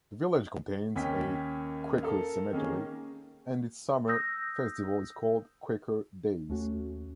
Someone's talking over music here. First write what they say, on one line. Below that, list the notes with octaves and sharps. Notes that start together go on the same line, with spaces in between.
The village contains a "Quaker Cemetery" and its summer festival is called "Quaker Days".
D#2 C#4 G5 B6
A4 A#4 F5
D#3 A#3 C#4 G#4
D#6 E6 G6 A#6
D#2 A3 C#4 F#4